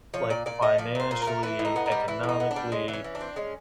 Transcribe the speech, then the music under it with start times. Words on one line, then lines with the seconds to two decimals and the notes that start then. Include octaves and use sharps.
like, financially, economically,
0.14 F3 C#5
0.30 A#2 D5
0.46 A#2 D5
0.62 A3 D#5
0.78 F3 D5
0.95 A#2 C5
1.11 A#2
1.22 A#4
1.27 A3
1.43 E3 E4
1.59 A2
1.65 D#4
1.76 B3
1.86 D#4
1.91 G3
2.08 E3 E4
2.23 A2
2.29 D#4
2.40 B3
2.51 D4
2.56 G3
2.72 G#3 C#4
2.88 E3
2.93 C#4
3.04 E3
3.15 D4
3.21 C4
3.36 G#3 C#4